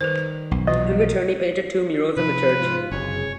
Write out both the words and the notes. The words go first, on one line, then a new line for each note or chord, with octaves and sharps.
In return he painted two murals in the church.
D#3 G3 B4 C5
B1
A#2 E3 F#3 F4 D#5
A#3
C3 F3 B4
G#2 B2 F4
F#1 C3 G#3 G#4 C#5